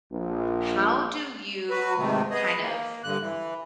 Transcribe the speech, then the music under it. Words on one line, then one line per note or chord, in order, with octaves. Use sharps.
How do you kind of
A#1
F#4 B4
G#2 C3 D#3 A3
B3 G#4 D#5
A#3
G2 D3 F#6
E3